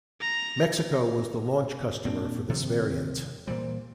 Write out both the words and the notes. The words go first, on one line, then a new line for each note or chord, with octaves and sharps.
Mexico was the launch customer for this variant.
A#5
A#2 C4 D4
C3 D#3 F3 C4
A#2 E3 G3 C5